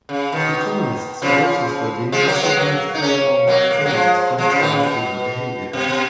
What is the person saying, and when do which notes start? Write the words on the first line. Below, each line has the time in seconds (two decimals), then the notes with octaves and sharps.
Economists are also studying massive multiplayer online games to understand human behavior better.
0.09 C#3
0.32 B2 D#3
1.22 C#3 F3
2.12 F3 G#3
2.27 F#3 A#3
2.43 G#3 B3
2.57 F#3 A#3
2.95 D#4
3.02 A#3 C#4
3.47 F#3 A#3
3.71 A#3
3.77 G#3
3.86 F#3 A#3
3.93 F3 G#3
4.38 F3 G#3
4.49 C#3 F3
4.60 B2 D#3
4.72 C#3
4.83 B2
5.73 B2
5.88 B2